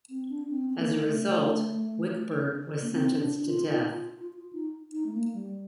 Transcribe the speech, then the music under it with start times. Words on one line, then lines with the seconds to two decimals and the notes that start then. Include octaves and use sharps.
As a result Wickbert was sentenced to death.
0.09 C4
0.29 D4
0.50 C4
0.69 C4
0.76 A#3
1.03 A3
2.81 A#3
2.92 C4
3.18 D4
3.45 F4
3.72 D#4
3.93 F4
4.13 F4
4.33 F4
4.53 D#4
4.93 D#4
5.06 A3
5.13 A#3
5.34 G3